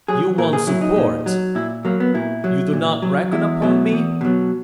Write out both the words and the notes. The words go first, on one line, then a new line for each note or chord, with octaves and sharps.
"You want support--you do not reckon upon me?"
F#3 G#4
A#2 A#4
G#4
F#3 E4
D#4
A#2
F#3
A#2 E4
F#3 A#3
B3
A#2 E4
F#3
A#2
F#3
E2 E4
B2 F#3
E2
B2 F#3